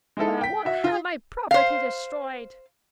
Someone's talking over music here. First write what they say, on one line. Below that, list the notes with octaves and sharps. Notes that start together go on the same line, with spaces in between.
"But I won't have my property destroyed."
G#3 D#4 E4 A4
G5 B6
F#4 E5
F4
C5 F5